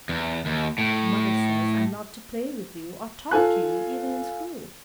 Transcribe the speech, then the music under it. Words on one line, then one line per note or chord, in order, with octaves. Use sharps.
Mother says I'm not to play with you or talk to you even in school.
E2
D#2
A2
F4 A4 G#5 F#6